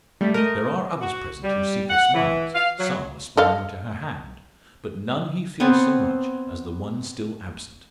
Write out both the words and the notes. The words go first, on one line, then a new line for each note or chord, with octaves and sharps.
There are others present who seek her smiles--some aspiring to her hand--but none he fears so much as the one still absent.
G3 A3
A3 A#4 D#5
F#4
G3
F#5
E3
F5
F#3
A4 D#5 F5
B3 C4 C#5 A5